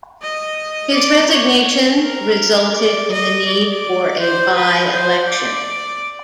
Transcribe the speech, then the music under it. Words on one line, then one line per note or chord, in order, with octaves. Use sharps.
His resignation resulted in the need for a by-election.
D#5
D5
C#5
A#4
D5
D#5
D5
C5
B4
C5
D5